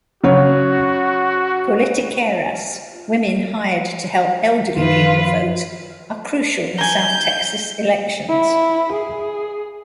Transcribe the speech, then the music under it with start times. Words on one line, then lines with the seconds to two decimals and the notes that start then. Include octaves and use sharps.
"Politiqueras", women hired to help elderly people vote, are crucial in South Texas elections.
0.24 C#3 F#3 F#4 C#5
4.77 F#2 D#3 F3 F4 B4
6.78 G#5 A#5 G6
8.28 E4
8.92 G#4